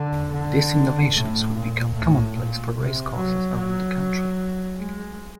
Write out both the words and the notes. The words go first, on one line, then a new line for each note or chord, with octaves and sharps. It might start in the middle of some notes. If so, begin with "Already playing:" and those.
These innovations would become commonplace for racecourses around the country.
Already playing: D3
D3
A2
A#2
A2
A#2
C3
F#3
F#3
G#3